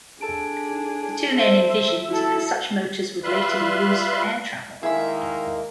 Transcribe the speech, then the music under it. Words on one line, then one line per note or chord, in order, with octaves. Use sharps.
The two men envisioned that such motors would later be used for air travel.
D4 G#4 A4 A5 D7
C5 E5
E4 F#4 A4
G3 F4 B4 E5 C6 F#6
D#3 G#3 A#3 E4 G#4 E5